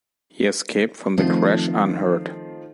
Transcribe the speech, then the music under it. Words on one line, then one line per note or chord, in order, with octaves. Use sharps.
He escaped from the crash unhurt.
D#3 F3 A3 C4